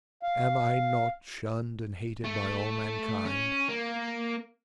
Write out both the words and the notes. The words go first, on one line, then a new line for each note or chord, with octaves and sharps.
Am I not shunned and hated by all mankind?
F5
A3
C#4
A#3